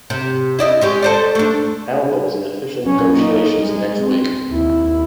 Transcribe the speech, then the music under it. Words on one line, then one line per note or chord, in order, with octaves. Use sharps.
Elba was in official negotiations the next week.
C3
E4 D5 D#5
G#3 C#4 G4
A4 C5 D5
A3 D4
F#3 C#4
A#3 D#4
G#3
C4
D#2 E4